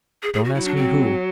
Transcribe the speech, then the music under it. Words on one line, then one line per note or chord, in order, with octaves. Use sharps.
Don't ask me who.
G#4
G#4
F#4
F#3 E4
D4
C4